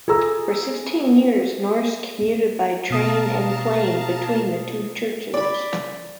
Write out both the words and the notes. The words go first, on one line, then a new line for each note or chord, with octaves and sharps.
For sixteen years, Norris commuted by train and plane between the two churches.
G#4 A4 A#5 E6
B2 F5 A5 A#5 D#6
D5 B5